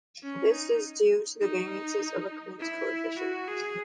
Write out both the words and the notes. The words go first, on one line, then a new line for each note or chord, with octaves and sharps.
This is due to the variances in Okun's coefficient.
C#4
D#4
D#4
E4
F#4
G#4